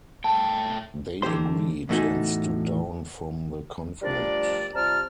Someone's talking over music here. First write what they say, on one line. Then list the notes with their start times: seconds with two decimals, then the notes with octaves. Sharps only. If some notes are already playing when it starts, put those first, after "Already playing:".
They agreed, and stood down from the conflict.
0.24 A3 G5 A5
1.22 D3 E3 D#4 G4 C5 C6
1.89 E2 A2 A3 D#4 F#4 G#5
4.02 F3 G3 A3 D4 A#4 D5
4.74 C3 G3 F4 A5 A#5 F6